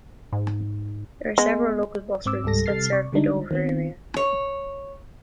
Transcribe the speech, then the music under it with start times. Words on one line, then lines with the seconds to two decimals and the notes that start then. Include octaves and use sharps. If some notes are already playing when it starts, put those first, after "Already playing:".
There are several local bus routes that serve the Dover area.
0.33 G#2
1.38 G#3 B3
2.26 G#2 C4 D6 E6
2.44 C#2 G#2 G3 A4 A#6
2.66 C3 G3 A4 F6 A6 C7
2.93 C3 D5 C#6
3.12 D3 G3 G#3 D4 D#4
3.51 D#3 B3 C4
4.17 C#5